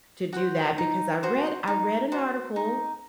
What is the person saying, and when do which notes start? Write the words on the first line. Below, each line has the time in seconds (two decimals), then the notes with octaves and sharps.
to do that, because I read I read an article
0.33 F#4 C5
0.78 D#4
1.23 F#4 C5
1.68 D#4
2.12 F#4 C5
2.56 D#4